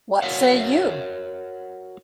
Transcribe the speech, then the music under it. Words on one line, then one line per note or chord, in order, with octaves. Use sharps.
What say you?
F#4 A#4 C#5 F5 F#5